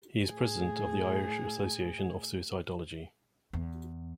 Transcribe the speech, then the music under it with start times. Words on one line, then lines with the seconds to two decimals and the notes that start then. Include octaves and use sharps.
He is president of the Irish Association of Suicidology.
0.25 A2 G#4
3.53 E2